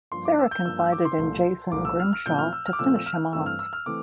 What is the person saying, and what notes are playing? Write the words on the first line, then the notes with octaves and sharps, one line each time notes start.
Sarah confided in Jason Grimshaw to finish him off.
G2 F3 A#3 C6
D6
E6
G6
G2 F3 A#3 E6
E6
D6
C6
C2 A#2 F3 A3
C2 A#2 F3 A3 D6
E6
F6
F6
A#2 F3 A3 C4 G6
F6
E6
F6
D6
A#2 F3 A3 C4 E6
E6
F6
G2 E3 A3 C4 E6
F6
E6
F6
E3 A3 C4 D6